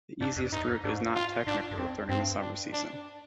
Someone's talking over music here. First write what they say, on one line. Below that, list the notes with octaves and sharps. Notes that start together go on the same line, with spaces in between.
The easiest route is not "technical" during the summer season.
G#2 D4
F2
G2 D#4
G#2
G#2 D4
F4
G#2 D4
G2
F2 C4
G2 C4
D4
D4